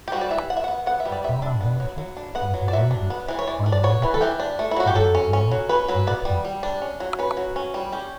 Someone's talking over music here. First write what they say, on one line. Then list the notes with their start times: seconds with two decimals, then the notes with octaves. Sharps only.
Bonaventure was raided by Americans during the War of Independence.
0.08 G4
0.12 G3 F#4
0.21 D5
0.30 E3 E5
0.50 D4 F#5
0.57 E5
0.64 B3 F#5
0.86 B3 F#5
1.00 E5
1.05 G3
1.12 D5
1.24 G3 E5
1.42 D4
1.61 B3
1.80 F#3
1.98 F#3
2.17 D4
2.35 B3 F#5
2.54 F#3
2.68 D5
2.73 F#3 E5
2.91 D4
3.10 B3
3.28 E3 B4
3.39 C#5
3.47 E3 D5
3.66 D4
3.72 D5
3.83 B3 C#5
4.02 E3 B4
4.14 A4
4.21 E3 G4
4.40 D4
4.59 A3
4.71 E4
4.77 F#3 F#4
4.87 G4
4.95 F#3 A4
5.15 C#4
5.33 C#4
5.51 F#3
5.69 C#4 B4
5.88 F#3 B4
6.07 B3 D5
6.25 G3
6.45 G3
6.63 D4
6.82 C#4
7.00 F#3
7.19 C#4 B4
7.37 F#3
7.56 C#4
7.74 G3
7.92 C#4 G4